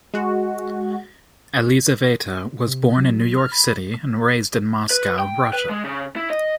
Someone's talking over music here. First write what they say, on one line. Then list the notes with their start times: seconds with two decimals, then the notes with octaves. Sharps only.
Elizaveta was born in New York City and raised in Moscow, Russia.
0.14 G#3 F#4
2.67 C3
2.97 F#3
3.38 F6
3.52 B5
4.90 B4
5.19 G5
5.53 B4
5.69 G#3
5.84 C#3
6.16 E4
6.30 D#5